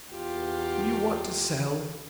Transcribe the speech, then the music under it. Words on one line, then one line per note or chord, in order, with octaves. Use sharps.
"Do you want to sell?"
E2 F4 G4